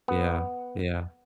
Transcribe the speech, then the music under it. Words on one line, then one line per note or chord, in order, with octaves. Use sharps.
Yeah. Yeah.
B3